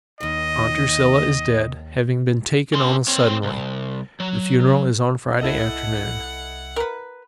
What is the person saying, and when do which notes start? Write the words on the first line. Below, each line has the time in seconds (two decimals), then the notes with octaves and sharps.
Aunt Drusilla is dead, having been taken almost suddenly. The funeral is on Friday afternoon.
0.21 D#2 D#3 D#5
2.74 C#4 C6
3.08 C4 C#5
3.43 C2
4.20 F#3
5.41 C2 E4 A4 D#5 F#5
6.76 A#4 B4